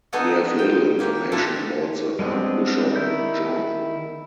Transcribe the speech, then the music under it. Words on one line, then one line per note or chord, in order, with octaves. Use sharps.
We have little information about the Archbishop John.
B3 D4 D#4 F#4 G#4 A4
G5
F#3 A#3 G4
G3 D4 E4 F4 A4
G3 G#3 B3 C4 D4
D#3 E4 G6